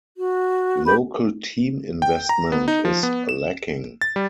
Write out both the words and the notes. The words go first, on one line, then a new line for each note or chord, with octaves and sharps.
Local team investment is lacking.
F#4
G4 B4 B5
G5
A#5
B3
D#4
F3
B3
E7
A6
G3